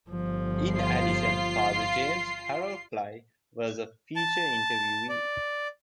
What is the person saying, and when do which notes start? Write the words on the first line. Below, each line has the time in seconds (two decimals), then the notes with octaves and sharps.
In addition, Father James Harold Flye was a featured interviewee.
0.10 G1 F3
0.73 F4 C7
4.16 A5
5.09 D5